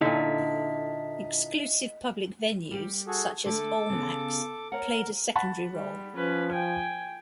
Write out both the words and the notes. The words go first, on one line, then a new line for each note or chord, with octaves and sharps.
Exclusive public venues such as Almack's played a secondary role.
A#2 D3 D#4 E4 A4 D#5 B6
G3 G4
F#4 G#4 A4
D3 A3 A4 D6
C#3 B3
A#4 C#5 F#5
F#5 A5 B5
G3
F3 C#4 B4
G5 G#5